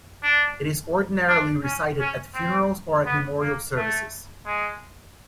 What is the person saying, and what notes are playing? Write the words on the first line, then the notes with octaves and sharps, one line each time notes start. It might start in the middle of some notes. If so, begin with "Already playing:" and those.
It is ordinarily recited at funerals or at memorial services.
D4
D4
C#4
C#4
C4
B3
A#3
A3
G#3